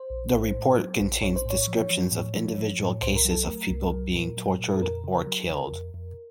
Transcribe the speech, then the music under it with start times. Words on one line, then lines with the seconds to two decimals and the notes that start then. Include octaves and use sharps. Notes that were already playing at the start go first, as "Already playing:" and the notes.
The report contains descriptions of individual cases of people being tortured or killed.
Already playing: C5
0.10 A#1
0.33 A#1
0.54 A2
0.77 F#3
1.00 A#1
1.22 A#1 C#5
1.36 C5
1.45 A2 C#5
1.67 F3
1.90 F3
2.12 A2
2.35 F3
2.57 F3
2.80 A2
3.02 C2 C5
3.16 A#4
3.25 F#3
3.31 A4
3.44 A3 A#4
3.70 C2
3.92 F#3
4.14 A#2
4.37 F#3
4.59 A#2
4.76 A4
4.82 F2 A#4
5.04 C#3
5.27 F#3
5.50 C#3
5.72 F2
5.94 F2